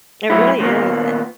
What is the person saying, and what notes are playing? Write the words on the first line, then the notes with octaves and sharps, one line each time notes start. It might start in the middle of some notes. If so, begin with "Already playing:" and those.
It really is, de
F#3 A3 E4
D#2 A#2 A#3 B3